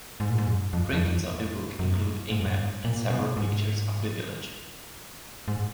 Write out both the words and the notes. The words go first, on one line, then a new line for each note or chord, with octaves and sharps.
Printings of the book include a map and several pictures of the village.
G#2
A#2
G#2
F#2
F2
F2
F#2
G#2
F#2
G#2
A#2
B2
G#2
G#2